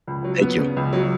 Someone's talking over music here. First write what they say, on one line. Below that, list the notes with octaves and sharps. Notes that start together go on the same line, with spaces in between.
Thank you.
C#2
F#3
B3
C#3
C#2
F#3